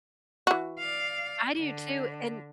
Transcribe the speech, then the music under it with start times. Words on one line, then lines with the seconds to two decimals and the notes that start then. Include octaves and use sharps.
I do, too, and
0.47 E3 F#4
0.79 D5 F5
1.58 D3